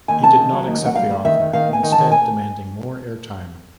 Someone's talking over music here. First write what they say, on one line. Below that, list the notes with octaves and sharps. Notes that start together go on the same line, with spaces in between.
He did not accept the offer, instead demanding more airtime.
D#2 G#5
C#3 A5
D#2
F#3
D#2
F#3 F#5
G3 F5
G3
D#3 E5
D#3
D#3 F5
B3 G#5
D#3
A5
D#3
G#5